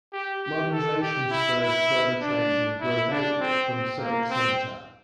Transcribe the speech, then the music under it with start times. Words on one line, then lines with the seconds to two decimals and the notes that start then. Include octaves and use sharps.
Modernization spurred further change and growth outward from Southwick Center.
0.13 G4
0.42 G4
0.72 A4
1.02 G4
1.31 E4
1.62 E4
2.22 D4
2.81 E4
3.11 D4
3.40 C4
3.71 C4
4.00 A#3
4.30 C4